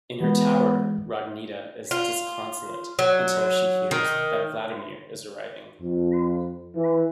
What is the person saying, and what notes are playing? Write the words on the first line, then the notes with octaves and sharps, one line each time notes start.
In her tower, Rogneda is disconsolate until she hears that Vladimir is arriving.
E3 G#3 B3
F4
F#3
D#3
F2
E3